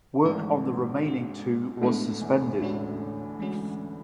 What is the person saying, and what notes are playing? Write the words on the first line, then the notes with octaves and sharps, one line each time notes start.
Work on the remaining two was suspended.
G#1 G#2 E3 A3 E4 B4
G#3 D4 F#4
B2
A1 A2 G#3 B3 D4 A4
E2 E3
D2 A2 D3 G#3 C#4 F#4 C#5
E3 G#3 C#4 F#4